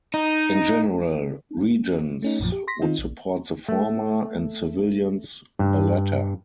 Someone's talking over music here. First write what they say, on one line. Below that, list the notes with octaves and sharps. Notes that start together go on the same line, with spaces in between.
In general, regents would support the former and civilians the latter.
D#4
A3 C#4 D#4
A#1 F#2 A#2 F3
G4
C6 A#6 B6
D#3 C4 D#4 F4
A#1
A3
G2